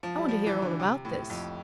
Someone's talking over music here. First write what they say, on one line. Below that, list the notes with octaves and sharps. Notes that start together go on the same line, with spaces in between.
I want to hear all about this.
F3
G3
F3
E3
D3
C3
A2
F2